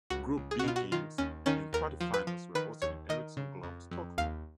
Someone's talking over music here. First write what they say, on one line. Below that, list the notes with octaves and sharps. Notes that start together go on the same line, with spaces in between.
Group B games and quarterfinals were hosted in Ericsson Globe, Stockholm.
C#2 F#4
C#2
G#4
F#4
B2 F4
F#4
D#3 F4
D#2 C#4
D#3 C#4
D#2 A#4
F3
B4
F3
D#3 B4
D#2 C#5
D#3 D#5
C#3
F2
F2
D#2 F5